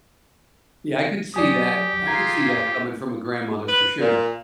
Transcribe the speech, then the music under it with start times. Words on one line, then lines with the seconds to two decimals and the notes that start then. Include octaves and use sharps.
Yeah, I could see that. I could see that coming from a grandmother, for sure.
1.34 F#3 G4 D5 G#5 D#6
2.07 F4 G#4 A#5 G#6
3.67 B4
4.00 A#2